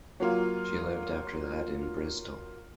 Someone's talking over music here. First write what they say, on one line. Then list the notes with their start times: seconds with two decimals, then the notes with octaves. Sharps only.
She lived after that in Bristol.
0.20 F#3 A#3 F4